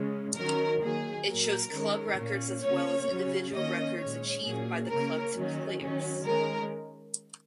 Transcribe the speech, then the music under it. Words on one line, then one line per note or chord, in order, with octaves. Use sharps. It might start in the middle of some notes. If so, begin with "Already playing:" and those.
It shows club records as well as individual records achieved by the clubs players.
Already playing: C#3 G#3 C#4
D#3 F#3 C#4 A#4
D#3 F#3 A#3 G#4
A#2 F#3 A#3 A#4
D#3 G#3 C#4
A#2 A#3 C#4
C#3 A#3 C#4 C#5
C#3 F#3 C#4
D#3 A#3 C#4 D#5
A#2 G#3 C#4 C#5
A#2 F#3 A#3 C#4 G#4
C#3 A#3 C#4 A#4
D#3 F#3 C#4
D#3 F#3 C#4
D#3 G#3 C#4 A#4